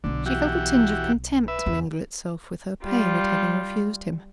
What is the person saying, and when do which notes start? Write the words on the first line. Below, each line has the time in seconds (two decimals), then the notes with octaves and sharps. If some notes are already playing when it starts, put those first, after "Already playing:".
She felt a tinge of contempt mingle itself with her pain at having refused him.
0.04 B1 D3 B3
0.26 E3 F#4 G4
1.48 B4 E5
1.66 E2 C#3
2.84 G3 F4